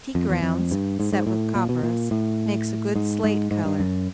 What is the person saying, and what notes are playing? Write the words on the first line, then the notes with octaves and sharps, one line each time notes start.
Tea grounds, set with copperas, makes a good slate color.
F2
E2
F2
G2
G#2
G#2
A2
A#2
B2
A#2
A2
G#2
G#2
G#2
G2
F#2